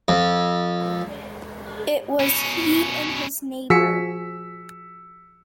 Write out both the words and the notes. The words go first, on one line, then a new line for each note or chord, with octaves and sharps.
It was he and his neighbour.
F2
B2 C#4
F3 F#4 G#4 E6 B6 C#7